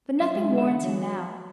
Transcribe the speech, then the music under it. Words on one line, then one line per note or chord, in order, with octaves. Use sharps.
But nothing warns him now.
F#2 E5
G#3
D3
E5
E2 F#5
F#3